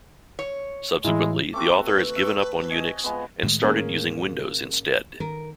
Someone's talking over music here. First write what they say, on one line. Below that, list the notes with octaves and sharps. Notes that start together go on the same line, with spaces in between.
Subsequently the author has given up on Unix and started using Windows instead.
C#5
A2 E3 G#3 E4
A3 C4 F#4 D6
B4
E5
D#5 G#5
F3 G#3 B3
A2 D#3 G#3
A#3 C#4 G#4
D#3 A#4